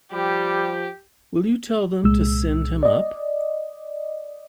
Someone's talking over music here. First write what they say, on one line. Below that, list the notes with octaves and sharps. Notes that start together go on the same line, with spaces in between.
Will you tell them to send him up?
F3 G3 G4
C2 A#2 G#3 E6
D5 D#5